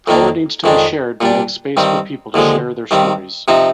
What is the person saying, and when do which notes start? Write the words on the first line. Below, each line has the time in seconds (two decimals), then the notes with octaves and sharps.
Power needs to be shared to make space for people to share their stories.
0.07 F2 D#3 A#3 D4
0.64 F2 D#3 G#3 D4
1.21 A#2 G3 D4
1.77 G2 D#3 G3 C4
2.34 D#2 D3 F3 G#3
2.91 G2 D#3 G3 C4
3.48 C3 F3 C4 D#4